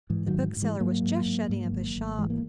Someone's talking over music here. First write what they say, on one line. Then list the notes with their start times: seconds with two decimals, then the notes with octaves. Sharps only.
The bookseller was just shutting up his shop.
0.10 G#2 E3
0.27 D#3 F#3
0.34 G#2
0.57 G#2
0.62 E3 G#3
0.79 G#2 F#3 A#3
1.03 G#2
1.26 G#2
1.49 G#2
1.72 G#1
1.96 G#1
2.18 G#2 E3 G#3
2.30 A#3